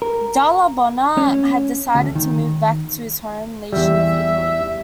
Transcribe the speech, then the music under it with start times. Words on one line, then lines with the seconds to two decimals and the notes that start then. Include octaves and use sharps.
Dalla Bona had decided to move back to his home nation of Italy.
0.02 A#4
1.17 C#4
1.95 D2
2.15 D#3
3.73 E2 G3 E5